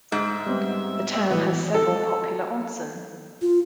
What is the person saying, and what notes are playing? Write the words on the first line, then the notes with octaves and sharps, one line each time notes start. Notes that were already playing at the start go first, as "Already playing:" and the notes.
The town has several popular onsen.
G#2 G#3 E5
G3 B3 C4
E3 B3 F#4
A4
F4